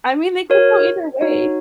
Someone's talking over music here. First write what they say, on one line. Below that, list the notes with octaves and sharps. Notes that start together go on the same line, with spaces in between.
I mean, they could go either way,
F#4 A#4 C#5
D#4 F#4 C#5